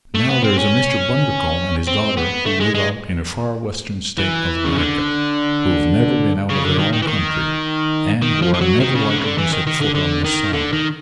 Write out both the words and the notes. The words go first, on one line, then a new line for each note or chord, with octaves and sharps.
Now there is a Mr. Bundercombe and his daughter, who live out in a far-western State of America, who've never been out of their own country, and who are never likely to set foot on this side.
A3
B3
C4
C#4
C4
B3
A3
G#3
G#3
E3
C#3
D3
C#3
D3
D#3
D#3
E3
D#3
D#3
F3
F3
F#3
D#3
C#3
D3
C#3
D3
E3
D#3
D#3
D3
D3
D#3
D3
D#3